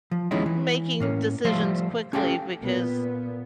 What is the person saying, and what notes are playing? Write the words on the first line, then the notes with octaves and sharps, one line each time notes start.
making decisions quickly because,
F3
D#2 F3 G#3 C#4 D#4 E4
E3
A2 A#3 C#4
F3 G3 A3 C5 E5 F5
C#4 G4 A4 F5 G5
A#2 B3